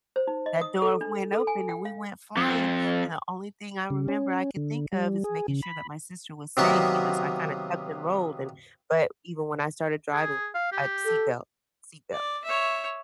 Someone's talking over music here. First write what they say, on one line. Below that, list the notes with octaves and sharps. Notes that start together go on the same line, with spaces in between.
that door went open and we went flying. And the only thing I remember I could think of is making sure that my sister was safe, you know, so I kinda tucked and rolled and but even when I started driving, I had seat belt seat belt,
C5
D#4
D#5
D#6
A4
D4
A4
G#5
G5
F5
F2
C#3
C#4
D3
G3
G#4
C#3
B5
C3 D#3 F#3 A#3 B3 F#4
G#4
F5
G4
A4
D5
C#5 E5